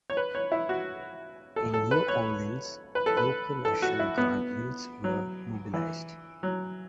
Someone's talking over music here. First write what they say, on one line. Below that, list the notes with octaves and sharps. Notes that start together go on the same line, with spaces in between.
In New Orleans, local National Guard units were mobilized.
C#5
B4
C#5
E4
F#4
A4
A4
B4
C#5
B4
A4
B4
A4
F#4
E4
B3
F#3
E3
F#3